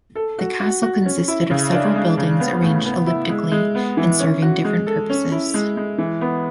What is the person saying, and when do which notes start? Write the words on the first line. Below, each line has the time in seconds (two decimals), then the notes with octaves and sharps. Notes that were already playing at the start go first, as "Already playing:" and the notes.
The castle consisted of several buildings arranged elliptically and serving different purposes.
0.15 A4
0.39 F#4
0.60 F#4
0.83 F#4
1.06 C#4
1.28 E4
1.51 C#3
1.72 D4
1.95 G#3
2.18 C#3
2.40 B3
2.62 A2
2.85 B3
3.07 E4
3.29 G#3
3.52 G#3
3.75 B3
3.97 E3
4.20 C#4
4.42 F#4
4.65 G#3
4.87 A4
5.10 C#4
5.32 E4
5.54 G#3
5.77 G#3
5.98 E3
6.21 B3